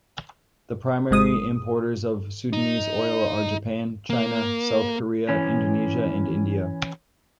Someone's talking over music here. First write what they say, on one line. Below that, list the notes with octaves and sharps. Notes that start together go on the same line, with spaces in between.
The primary importers of Sudanese oil are Japan, China, South Korea, Indonesia, and India.
G#1 G#3 D#6
D#4
A#3
E3 C#4